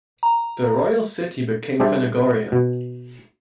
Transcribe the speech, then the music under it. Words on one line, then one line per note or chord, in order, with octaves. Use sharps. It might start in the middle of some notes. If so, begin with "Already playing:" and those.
The Royal city became Phanagoria.
A#5
G3 D4 G#4 C5 D5 E5
B2